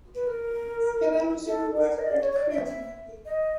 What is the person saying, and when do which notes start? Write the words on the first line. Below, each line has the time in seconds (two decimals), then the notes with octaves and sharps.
He then resumed work at Crewe.
0.15 B4
0.27 A#4
1.46 A4
1.76 A#4
1.99 D#5
2.06 D5
2.21 C#5
2.32 C#5
2.36 D5
2.51 E5
2.66 E5
3.26 D#5